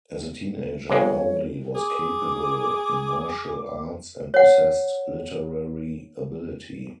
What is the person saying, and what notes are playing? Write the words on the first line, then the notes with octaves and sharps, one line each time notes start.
As a teenager, Hongli was capable in martial arts and possessed literary ability.
G1 F2 G#3 C#5
G#4 D6
C#5 F#5